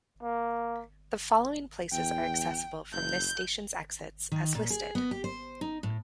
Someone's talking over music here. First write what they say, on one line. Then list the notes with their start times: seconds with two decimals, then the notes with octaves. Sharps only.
The following places are accessible from this station's exits as listed.
0.23 A#3
1.92 E2 G5
2.93 F#1 G6
4.32 D#3
4.55 A#2
4.70 G#4
4.95 B3
5.11 G4
5.24 C5
5.61 D#4
5.83 A2